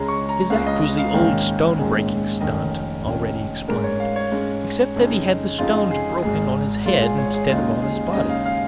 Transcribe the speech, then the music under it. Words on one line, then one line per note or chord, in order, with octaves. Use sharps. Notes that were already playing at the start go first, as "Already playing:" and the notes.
His act was the old stone-breaking stunt, already explained, except that he had the stones broken on his head instead of on his body.
Already playing: C#2 C#3 G#3 C#4 A#5
C#6
A#5
C#2 C#3 G#3 C#4 F5
D#5
D#5
F5
A#1 G#2 D#3 G#3 C#4 F5
A#1 G#2 D#3 G#3 C#4
F1 F2 D#3 C#4 D#5
F1 F2 D#3 C#4
G#2 G#3 C#4 A#4
C#5
F5
C#5
G#2 G#3 C#4
F2 C#3 G#3 D#4
F2 C#3 G#3 D#4 F4
G#4
G#1 G#2 G#3 G#4
G#1 G#2 G#3 F4
G#4
C#5
G#4
D#2 C#3 G#3 D#4 F4
G#4
D#2 C#3 G#3 D#4 D#5
F5
F5